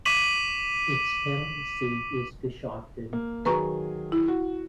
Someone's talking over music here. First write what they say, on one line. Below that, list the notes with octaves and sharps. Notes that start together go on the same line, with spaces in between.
Its county seat is Coshocton.
C#6 D6 B6 D#7 F#7
A#3
D#3 F#3 G#4 B4 A#5 C#6
E4
F#4